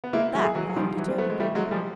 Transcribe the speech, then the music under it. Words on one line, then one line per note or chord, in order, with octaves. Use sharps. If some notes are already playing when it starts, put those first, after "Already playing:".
That I have determined on.
B3
G#3 A#3 E4
F#3 G#3
G#4
E3 F#3
F#3
D#3 F3 G3
E3 F#3
C4
A3 B3
G#3
G3 A3 E4
F#3 G#3
F3 G3 G#4